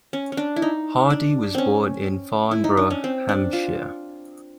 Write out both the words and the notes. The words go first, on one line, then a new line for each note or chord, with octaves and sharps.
Hardy was born in Farnborough, Hampshire.
C#4
C#4
D4
E4
D#4
D4
C4 C#4
E4
D#4
D4
C#4
C4
D4
F4